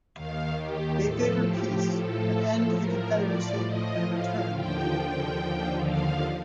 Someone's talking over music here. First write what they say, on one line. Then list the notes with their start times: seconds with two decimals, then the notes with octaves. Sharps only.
They favored peace, an end to the Confederacy, and a return to the Union.
0.14 D#2 D#3 F5
0.58 G4
1.02 A2 F3 A4
1.46 G4
1.90 A2 F3 A4
2.77 A2 F3 A#4
3.21 D5
3.66 A2 F3 D#5
4.10 F5
4.53 D#2 D3 F3 G5
5.41 D#2 D3 F3
5.85 F5